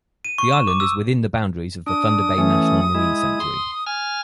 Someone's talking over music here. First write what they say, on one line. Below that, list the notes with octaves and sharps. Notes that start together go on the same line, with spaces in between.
The island is within the boundaries of the Thunder Bay National Marine Sanctuary.
D#7
C#6
E7
D6
E6
D4 D#6
E3 A3 C#4
G#3 E4
C6
G#5 F6